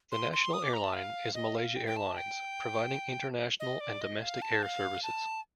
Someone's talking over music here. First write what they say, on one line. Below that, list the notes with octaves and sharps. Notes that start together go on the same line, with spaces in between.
The national airline is Malaysia Airlines, providing international and domestic air services.
C6
C6
D#6
D6
A#5
A5
F5
D#5
F5
G5
G5
A5
G5
D#5
D5
D#5
F5
A5
F5
A5